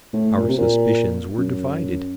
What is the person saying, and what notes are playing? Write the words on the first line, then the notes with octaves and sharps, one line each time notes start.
Our suspicions were divided.
A2
A#2
C3
A#2
F#2